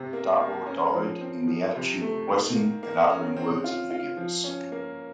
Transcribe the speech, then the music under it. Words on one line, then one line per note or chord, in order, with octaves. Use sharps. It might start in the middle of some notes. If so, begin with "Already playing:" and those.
Darboy died in the attitude of blessing and uttering words of forgiveness.
Already playing: C3
A#3
A#3
C#4
F3
C4
F3
C3
A3
D#3
A#3
A#3
C#4
C4
F4
F4
F3
C#4
A#3